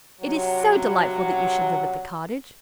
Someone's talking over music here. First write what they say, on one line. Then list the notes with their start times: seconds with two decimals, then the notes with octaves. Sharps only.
It is so delightful that you should live at the cottage!
0.21 G2 C3 F#3